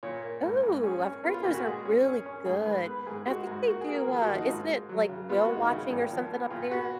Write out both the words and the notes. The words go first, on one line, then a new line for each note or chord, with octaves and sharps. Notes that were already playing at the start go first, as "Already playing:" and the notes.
Ooh, I've heard those are really good. I think they do, uh isn't it, like, whale watching or something up there?
A#2 C#5
A#3
G#2
G#2
C#4 G#4
C#4
B3 F4
F4
A#2 F4
F#4
G#3 G#4
C#4
C#4
C#4
G#2 G#4
G#2 B4
B3 B4
G#2 G#4
G#3 F#4
G#2
A#3 F#4
G#4
A#3
A#4
F3 G#4
F#4
F3
D#4
G#2 F4
G#3
F#3
C#3
B3 F4
F#4
G#3
D#4
C#3
G#1
F3
B3
A#2 F4
B3 F#4